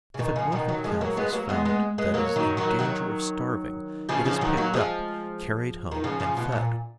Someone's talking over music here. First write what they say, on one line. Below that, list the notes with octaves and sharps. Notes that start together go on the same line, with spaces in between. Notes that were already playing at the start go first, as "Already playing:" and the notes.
If an orphan calf is found that is in danger of starving it is picked up, carried home and fed.
C#3
B2 D#3
C#3 F3
B2 D#3
D#3 F#3
F3 G#3
F#3 A#3
G#3 B3
F#3 A#3
G#3 B3
G#3 B3
G#3 B3
F#3 A#3
D#3 F#3
D#3 F#3
D#3 F#3
C#3 F3
C#3 F3
D#3 F#3
F#3 A#3
F3 G#3
D#3
C#3 F3
C#3 F3
B2
A#2